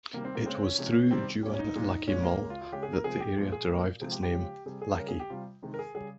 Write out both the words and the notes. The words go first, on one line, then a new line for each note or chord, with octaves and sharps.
It was through Dewan Lakki Mull that the area derived its name 'Lakki'.
C3 D#3 G3 A#3
C4
A#3
C#3 G#3 C4
C#4
C3 F3 G#3
C3 D#3 G3 C4
A#2 G3 C#4
C#4
D#4
A#2 G#3
A#2 G#3 C#4
A#3
C#3 G#3 A#3
F4
F4
C#3 G#3 G4
G#4
A#4
C3 F3 G#3 G#4
G4
A#2 F3 G#3 F4
G#4
G#3 A#4
A#2
C3 F3 G#3 G#4
G4
G4
C#3 F3 G#3
C3 G3 G#4
G#4
C#3 G3 A#4
G#4
G4
C3 G3 F4
C3 D#3 G#3
A#4
G#4
C#3 G3 G#4